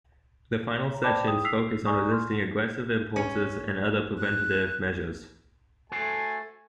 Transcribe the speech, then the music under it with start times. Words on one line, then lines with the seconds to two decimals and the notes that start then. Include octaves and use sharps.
The final sessions focus on resisting aggressive impulses and other preventative measures.
0.90 C#5 A#5
1.03 C5 D5 G5 A5 B5 D6
1.28 E4 G#4 G5 D#6
1.45 E6 F6 B6 C7 F7
1.86 D5 G#5 A#5 C#6 D#6
2.12 C6 F6
3.16 C#4
4.18 F#6
5.92 A3 F#4 A4 C5 G#5